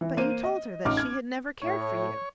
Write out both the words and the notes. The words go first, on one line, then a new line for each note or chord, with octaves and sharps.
"But you told her that she had never cared for you."
E3
A#3 C5 D#7
D#5
A1 D#4 D6 F6
F6 G#6
A2 C#5